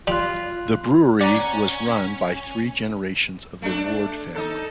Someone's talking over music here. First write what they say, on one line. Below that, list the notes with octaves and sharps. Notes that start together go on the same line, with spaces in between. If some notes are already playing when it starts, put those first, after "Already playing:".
The brewery was run by three generations of the Ward family.
G3 F4 B5 C6 D6 F#6
C#4 D5 F#5 A#5
A3 D4
D#4 A4